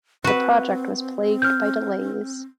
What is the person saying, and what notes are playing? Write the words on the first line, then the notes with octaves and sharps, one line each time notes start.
The project was plagued by delays.
C4 F#4 B4
F6 G6